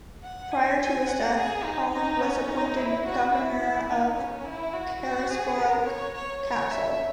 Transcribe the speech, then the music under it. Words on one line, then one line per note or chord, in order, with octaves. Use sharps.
Prior to his death, Holland was appointed Governor of Carisbrooke Castle.
F#5
G#5
G#5
F#5
G#4
D#4
D#4
C#4
D#4
E4
F#4
E4
E4
D#4
C#4
E4
F#4
F#4
G#4
A#4
C#5
C#5
C#5
E5